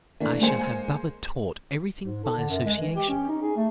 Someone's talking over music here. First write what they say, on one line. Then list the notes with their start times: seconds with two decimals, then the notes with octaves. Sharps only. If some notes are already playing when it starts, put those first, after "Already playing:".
I shall have Baba taught everything by association.
0.20 E3 A3 A#3 D4
0.41 G#3 A#3 C5 G#5 C#7
2.03 G#2
2.24 A4
2.37 D3
2.50 F#2
2.66 G#3
2.79 E3
2.96 G4
3.09 C#4
3.29 D#4
3.42 G#4
3.56 A3